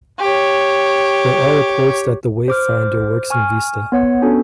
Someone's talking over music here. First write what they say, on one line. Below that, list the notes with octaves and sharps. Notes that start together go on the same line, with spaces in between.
There are reports that the Wavefinder works in Vista.
G4 C#5
C5 D6 F6
G#5 C#6 F6
B3 C#5 F#5
B3 C#4 D4 F#4 A4